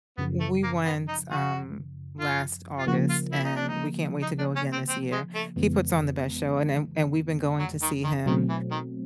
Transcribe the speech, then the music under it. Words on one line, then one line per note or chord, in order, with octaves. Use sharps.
We went, um, last August, and we can't wait to go again this year. He puts on the best show, and and and we've been going to see him,
F#2 C#3 F3 B3
A3
A#3
B3
D#4
F#4
F4
F4
C#3 F3 A#3 F#4
F4
E4
D#4
D4
D#4
D#4
D4
C#4
C4
C4
G#3
A3
F2 C#3 E3 G#3 B3
F#3
D#3
D#3
B2 D#3 F#3 A3 C4
E3
D#3